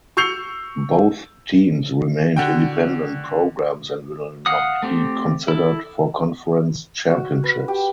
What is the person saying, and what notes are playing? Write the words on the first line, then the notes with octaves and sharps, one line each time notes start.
Both teams remained independent programs and will not be considered for conference championships.
C#6 E6 G6 C7 C#7 F7
D3 F#4 G5
F5 F#5 D#6
A3 C4 G4
E4 A4
F#4
B4
G4